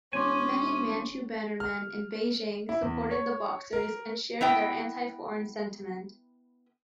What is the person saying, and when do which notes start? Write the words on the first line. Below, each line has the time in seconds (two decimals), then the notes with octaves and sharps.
Many Manchu Bannermen in Beijing supported the Boxers and shared their anti-foreign sentiment.
0.13 E1 C#4 C#5 G#5 C6 D6
1.60 F6
2.69 E4
2.82 E2
3.11 C#5
3.73 A#4
4.41 B3 E4 D#5 G5